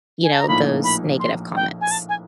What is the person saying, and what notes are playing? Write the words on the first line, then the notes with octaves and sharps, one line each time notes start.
you know, those negative comments.
G#5
A5
A#5
A#1 A2 F3 A#3 D#4 B5
B5
C6
G5
G#5
A5
G#5